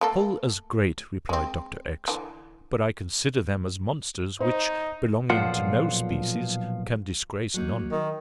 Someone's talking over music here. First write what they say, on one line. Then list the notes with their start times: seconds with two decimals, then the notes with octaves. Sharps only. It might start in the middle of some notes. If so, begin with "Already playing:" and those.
"Full as great," replied Dr. X----; "but I consider them as monsters, which belonging to no species, can disgrace none."
0.01 A3 A#3 A4
1.29 G#3 C4
2.08 D3 E3
4.40 D#4 C5
5.30 B1 A#2 F3 F4 C5 F#5
7.54 F#3 A#3 D#4
7.92 D#3